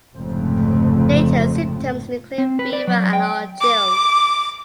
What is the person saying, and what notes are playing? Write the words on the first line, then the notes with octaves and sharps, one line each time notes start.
Later symptoms include fever and or chills.
F1 F2 G#2 C#3 A3 C4
C4
B4
D5
F#3
G5
D6